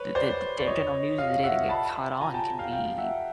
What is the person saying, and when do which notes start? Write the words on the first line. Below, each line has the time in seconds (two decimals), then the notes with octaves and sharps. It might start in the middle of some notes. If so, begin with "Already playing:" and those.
that the the the general news of the day that get caught on can be,
Already playing: B4 C#5
0.15 C5 D5
0.60 D5
0.67 C#5 D#5
1.18 D#5 F5
1.44 E5 F#5
1.69 A5 B5
2.21 G#5 A#5
2.34 G5 A5
2.59 F5 G5
2.72 F5 G5
2.98 E5 F#5